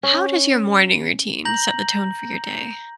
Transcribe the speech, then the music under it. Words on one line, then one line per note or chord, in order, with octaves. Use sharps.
how does your morning routine set the tone for your day?
C#4
A#5 G6 A#6 F#7